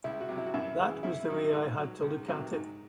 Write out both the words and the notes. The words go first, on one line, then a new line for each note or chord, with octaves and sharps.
That was the way I had to look at it.
C#2 E4
F#4
C3 F#3
E4
F#4
F#2 E4
C#3 E3
F#2 E4
D#3 F#3 D#4
E4
D#4
G#2
F#3
C#2
C3 D#3 F#3
G#2